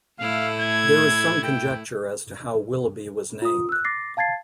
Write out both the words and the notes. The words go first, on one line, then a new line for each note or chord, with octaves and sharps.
There is some conjecture as to how Willoughby was named.
A2 A3 E4 F5
G#6
G5
F4 D#6
E6 F#6
D6 A6 A#6 C7
F5 A5 G#6 A6 C7